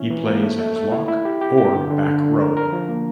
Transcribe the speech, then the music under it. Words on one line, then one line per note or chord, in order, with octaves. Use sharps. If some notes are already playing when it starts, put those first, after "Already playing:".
He plays as lock or back row.
Already playing: E3 C#4 E4
E3
A#3
A3
A3
A3
E4
E4
G4
G4
G4
D3
D3
D3
D4
A#4
A#4
F3
A#3